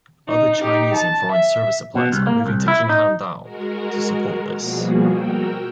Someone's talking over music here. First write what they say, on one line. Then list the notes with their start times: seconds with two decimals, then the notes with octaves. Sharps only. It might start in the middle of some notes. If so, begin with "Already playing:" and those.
Other Chinese and foreign service suppliers are moving to Qinhuangdao to support this.
0.29 D#4
0.62 D#4 G4
0.94 A5
1.32 E5
1.95 B2
2.12 C2
2.27 A#3
2.46 C2
2.68 E4
2.89 D#4
3.43 G#3 F#4 A#4
4.58 B2 F3 G3 A#3 F#4 G#4
5.08 F#4 A#4 G5 E6